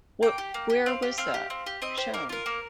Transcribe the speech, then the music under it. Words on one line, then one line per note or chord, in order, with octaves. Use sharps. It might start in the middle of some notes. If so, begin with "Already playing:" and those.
What where was that shown?
A#3 G5
G4
A#3
G4
C4 F5
G4
C4 F5
G4
C4
G4
C4 D#5
G4 C5
A#3 A#4
F4 A#4
A#3